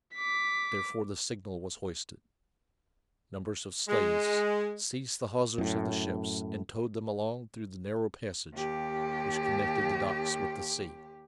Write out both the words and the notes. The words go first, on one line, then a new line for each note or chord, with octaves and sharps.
Therefore the signal was hoisted. Numbers of slaves seized the hawsers of the ships and towed them along through the narrow passage which connected the docks with the sea.
D6 B6
G#3
F#2 A2
D#2 G4